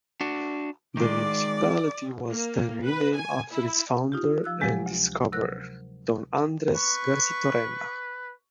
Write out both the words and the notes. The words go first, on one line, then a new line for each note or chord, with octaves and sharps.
The municipality was then renamed after its founder and discoverer, Don Andres Garchitorena.
D4 F#4
D#3 G#3 D5 D6
A#3
B4
G#5
E4
D#4 F4 G4
F3 E6 F#6
C3 F3 F#3 G#3 G4
D2
C3 F#3 A#4 F#6
B4 C#6